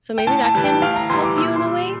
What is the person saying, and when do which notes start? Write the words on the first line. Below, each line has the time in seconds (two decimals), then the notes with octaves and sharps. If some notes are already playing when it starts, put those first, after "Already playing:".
so maybe that can help you in a way?
0.18 G5
0.27 A2 A5
0.45 A5
0.55 E3 G3
0.64 G5
0.82 A2 F5
0.96 A#5
1.10 E3 G3 C6
1.24 D6
1.38 A#2 E6
1.56 C6
1.65 G3